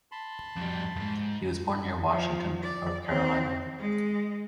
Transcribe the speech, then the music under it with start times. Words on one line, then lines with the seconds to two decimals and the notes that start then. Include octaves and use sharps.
He was born near Washington, North Carolina.
0.12 A5 B5 C6
0.56 F2 G3
0.96 F2 G#2
2.10 F3
2.62 D5
3.06 C4
3.78 G#3